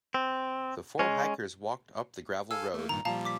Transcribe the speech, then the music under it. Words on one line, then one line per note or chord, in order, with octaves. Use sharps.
The four hikers walked up the gravel road.
C4
G#3 C#4
A4 F5 G#5 E6
A3 A#3
G2 A#2 D#3 A#5
A#2 F3 G3 F5 A5 A#5
D6 B6